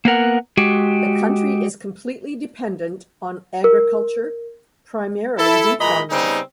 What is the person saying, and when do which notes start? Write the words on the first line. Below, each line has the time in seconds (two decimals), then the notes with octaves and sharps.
The county is completely dependent on agriculture, primarily wheat farming.
0.05 A#3 B3 A#4 F#5
0.57 G#3 F#4 G4
3.64 A#4
5.37 E4 A4
5.78 A#2 E3 G#3 D#5 A#5 B5
6.10 C#3 G3 B3 C4 D#4